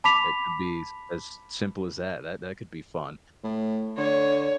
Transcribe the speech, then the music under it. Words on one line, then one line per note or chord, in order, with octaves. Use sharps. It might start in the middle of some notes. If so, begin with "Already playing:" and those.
It could be s as s simple as that. That that could be fun.
A5 B5 D6 B6 F7
A2
D3 C#5